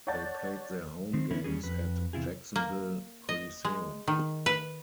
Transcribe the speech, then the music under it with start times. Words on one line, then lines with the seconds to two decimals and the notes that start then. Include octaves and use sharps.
They played their home games at Jacksonville Coliseum.
0.07 C#5 D5 F#5 A5 G6 A6
1.13 D#3 C4
1.31 E2 D3 B3 C#4 E4
1.44 E2 G3 C#4 F#4 G#4
1.63 F2 B4
2.13 E2 C3 E4 F4 G#4
2.56 A#3
3.29 D#5
3.65 G#3
4.08 D#3
4.46 B4